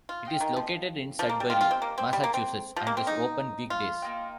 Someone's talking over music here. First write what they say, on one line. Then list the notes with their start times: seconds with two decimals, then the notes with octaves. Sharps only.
It is located in Sudbury, Massachusetts and is open weekdays.
0.09 F4
0.25 F4 D#5 G5
0.41 D#3
0.56 F3
1.19 F3
1.29 A#3
1.40 G3
1.50 F4 G4 A#4 D#5 G5
1.61 F4
1.71 C4
1.82 A#3
1.98 C4
2.13 G3
2.24 A#3
2.34 C4
2.76 F3 G4 C5 D#5
2.87 A#3
2.97 C4
3.07 D#4
3.70 F4
4.02 A#3 D#4 A#4 G5